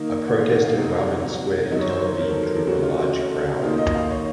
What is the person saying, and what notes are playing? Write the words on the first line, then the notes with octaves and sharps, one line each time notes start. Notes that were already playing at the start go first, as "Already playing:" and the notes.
A protest at Rabin Square in Tel Aviv drew a large crowd.
Already playing: D#3 A#3 D#4
F#5
F5
F#5
F5
C3 F#3 C4 D#4 F#5
F5
F#5
F5
F#2 D#3 F#3 D#5
C#5
C5
C#5
A#4
A4
A#4
A4
C#3 A3 C#4 F#4
F4
F#4
A4
A4
D#3 A#3 D#4 F4
D#5
F5
C#5